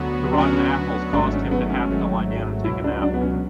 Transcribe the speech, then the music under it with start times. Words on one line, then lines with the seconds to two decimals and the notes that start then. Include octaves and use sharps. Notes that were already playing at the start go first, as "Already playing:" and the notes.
The rotten apples caused him to have to lie down and take a nap.
Already playing: D2 D3 F#3 B3 F#4
0.33 D4
0.37 D2 D3 F#3 B3 C#4 F#4
1.13 G#1 G#2 F#3 A3 D4
1.33 C#4
1.51 B3
1.70 C#4
1.89 G#1 G#2 F#3 A3
2.64 C#2 B2 F#3 E4
2.84 D4
3.02 D4
3.14 B3
3.21 C#4